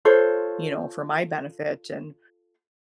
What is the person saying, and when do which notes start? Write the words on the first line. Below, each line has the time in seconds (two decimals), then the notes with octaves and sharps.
you know, for my benefit, and,
0.05 F4 A4 C5 C#5